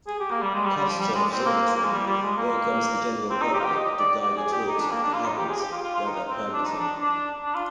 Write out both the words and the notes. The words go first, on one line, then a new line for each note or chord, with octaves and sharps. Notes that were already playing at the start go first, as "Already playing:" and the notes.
Custer Observatory welcomes the general public to guided tours of the heavens-weather permitting.
G#4
G4
A#3
G3
G#3
G3
G3
F3
G3
G#3
C4
A#3
A#3
G#3
G3
G3
G#3
A#3
C4
D#4
G4
F4
G4
D#5
D5
D5
G#4
G4
D#4
D4
A#3
D4
F4
D#4
G4
G#4
G4
F4
F4
F4
D#4
C4
D4
D#4
D4
D4
D4
F4